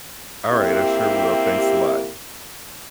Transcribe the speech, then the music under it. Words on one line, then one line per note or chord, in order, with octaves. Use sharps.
Alright, I sure will, thanks a lot.
A#3 C4 E4 G4